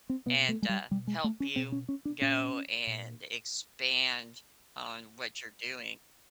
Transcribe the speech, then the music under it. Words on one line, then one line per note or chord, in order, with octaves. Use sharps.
and, uh, help you go and expand on what you're doing.
C4
B2 B3
A3
G#3
G3
B2 G3
G#3
A3
C#4
B2 C4
C#4
C#4
D4
A#2 C#4
A#2